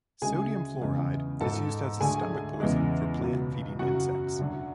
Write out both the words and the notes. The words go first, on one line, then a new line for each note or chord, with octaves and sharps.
Sodium fluoride is used as a stomach poison for plant-feeding insects.
D2 C#3 G#3 G#4 G#5
E2 C#3 G#3
G#2 G#3 A4 A5
D2 D3 A3 G#4 G#5
E2 C#3 G#3
C#2 B2 F#3
F#2 C#3 F#3 F#4 F#5
D2 D3 F#3